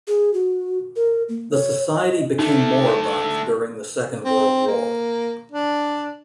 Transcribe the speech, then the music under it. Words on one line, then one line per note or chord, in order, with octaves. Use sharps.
The society became moribund during the Second World War.
G#4
F#4
A#4
A#3
C#5
D#5
D3 A3 D#4
C4
A#3
D4